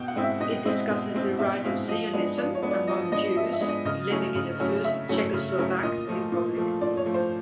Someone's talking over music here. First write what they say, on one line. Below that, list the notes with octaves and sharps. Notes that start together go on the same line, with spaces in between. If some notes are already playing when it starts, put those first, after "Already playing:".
It discusses the rise of Zionism among Jews living in the First Czechoslovak Republic.
Already playing: B2 G5
F#5
G#3 C4 E4
E5
B2 D#5
G#3 C4 E4
B2
G#3 C4 E4
B2 E5
G#3 C4 E4 F5
F3 D#5
G#3 B3 D4
F3 D5
C#5
G#3 B3 D4
D5
F3 D#5
G#3 B3 D4 D#5
F3 E5
E5
G#3 B3 D4
D#5
C#3 D#5
F#3 A3 C#4 E4
C#3
F#3 A3 C#4 E4
C#3 E5
F#3 A3 C#4 E4
C#3
F#3 A3 C#4 E4
A#2 D#5
F3 A3
A#2
F3 A3
A#2 D5
C#5
F3 A3
C5